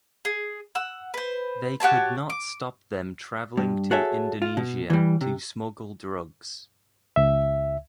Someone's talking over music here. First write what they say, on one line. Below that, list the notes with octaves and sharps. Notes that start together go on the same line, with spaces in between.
They could not stop them traveling to Indonesia to smuggle drugs.
G#4
F#5 E6
B4 C5
F#4 G4 C#5 A5
D6
G2
F#4 G#4 A4 C#5 E5
F4
B2
E3 G3
C3
C#2 E5